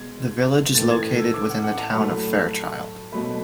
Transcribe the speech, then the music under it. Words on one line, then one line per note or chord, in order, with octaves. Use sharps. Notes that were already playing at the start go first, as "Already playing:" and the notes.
The village is located within the Town of Fairchild.
Already playing: B2 G#3 G#6
A2 E3 A3 A6
G#6
E6
D6
F#5
F#5
A5
A2 F#3 A3 B5
B2 F#3 A3 B5